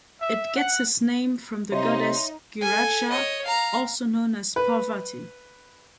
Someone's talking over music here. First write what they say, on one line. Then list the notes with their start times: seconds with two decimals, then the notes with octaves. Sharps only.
It gets its name from the goddess Giraja, also known as Parvati.
0.21 E5
0.55 F#5
1.72 C3 D#4 C#5 D#5 E5 C6
2.61 A4 G#5
3.10 C#5 D#5
3.44 F5 A#5
4.56 B4